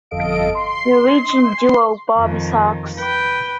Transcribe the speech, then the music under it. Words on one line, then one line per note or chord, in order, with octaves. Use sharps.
Norwegian duo Bobbysocks!
G1 F2 A4 D#5 F5 D7
C6 C7
F2 D#3
B4 G5